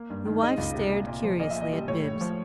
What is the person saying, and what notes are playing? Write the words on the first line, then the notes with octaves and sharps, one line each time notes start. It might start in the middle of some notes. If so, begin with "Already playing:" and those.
The wife stared curiously at Bibbs.
Already playing: A#3
G2
D#3
G#3 D#5
C#2
C3
A#2
A#2
F3
A#2 D#5
E5
A#2
D#5
G3
A2 C#5
A2
F3